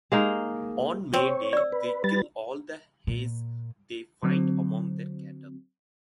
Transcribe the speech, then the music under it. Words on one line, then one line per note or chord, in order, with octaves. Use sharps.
On May Day they kill all the hares they find among their cattle.
G#3 A#3 D#4
C4 C#5
D5 E6
B4
G3 B4 A6
A#2
D3 F#3 C4